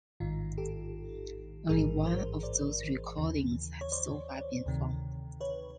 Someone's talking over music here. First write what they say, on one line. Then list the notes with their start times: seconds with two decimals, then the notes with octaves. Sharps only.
Only one of those recordings has so far been found.
0.20 A1 G#2 D#3 D#4 F4
0.58 G4 A4
1.69 A1 G#2 E3 G#4 A#4
2.06 A#4 C5
2.43 C5 D5
3.18 D#2 C#3 E3
3.81 C#5
3.92 C5 D5
4.66 D2 C3 D#3
5.41 B4 C#5